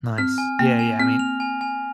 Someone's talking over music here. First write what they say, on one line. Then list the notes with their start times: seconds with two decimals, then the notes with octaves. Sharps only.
Nice. Yeah, yeah, I mean,
0.18 C4 F6
0.38 G#5
0.59 A#3 A#6
0.79 G#5
0.99 C4 F6
1.19 F7
1.40 G#5
1.61 G#5